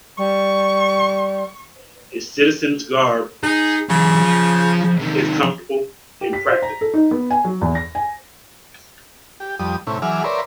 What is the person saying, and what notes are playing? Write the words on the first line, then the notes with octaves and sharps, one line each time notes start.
Its citizens' garb is comfortable and practical.
G3 C#6
D#4 G#4
C#3 E3 F#3
F3
C3 D#3
G4
B6
C5
A#5
A4
D#4
B3
G#5
F#3
E2
A#6
G#5
G4
F2 G3 D#6
A2 C3 C#4 E4
E3 F#3 G#4 E5 D6 F6
A#4 B4 C#5 D5 E5 C6